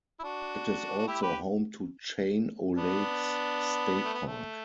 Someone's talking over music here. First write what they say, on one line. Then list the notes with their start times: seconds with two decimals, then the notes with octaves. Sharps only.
It is also home to Chain O'Lakes State Park.
0.20 E4
0.23 D4 F#4
0.98 F#4
1.08 E4 G4
1.22 G4 B4
2.77 B3 D4
4.05 A3
4.14 B3
4.24 A3